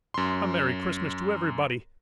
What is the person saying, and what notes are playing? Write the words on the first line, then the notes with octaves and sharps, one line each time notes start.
A merry Christmas to everybody!
F#2 C6